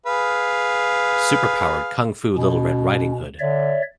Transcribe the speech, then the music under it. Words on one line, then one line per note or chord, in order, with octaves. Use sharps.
Super Powered Kung Fu Little Red Ridding Hood!
G#4 B4 F5
B2 C#4
D3 C#5 D5 E5